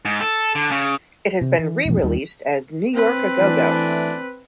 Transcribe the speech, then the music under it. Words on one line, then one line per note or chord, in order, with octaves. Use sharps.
It has been re-released as "New York A Go Go,".
G#2
A4
D3
C#3
C3
E3
E1 A#1 F2
D#2 D#3 G3
C4 B4
E3 A3 D4